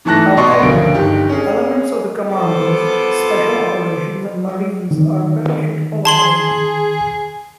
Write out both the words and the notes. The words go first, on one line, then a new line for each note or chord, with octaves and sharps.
However, elements of the commandos, special operations and marines are parachute qualified.
G#2 E3 A3 A5 F#6 A#6
B2 D5 D#5 C6 C#6
D2 C#3 F3 A#3 D7
G1 D#3 G4
C#4 G#4
B3 F4 A4 C5 D6
D#3
G#4 A5 C6 F#7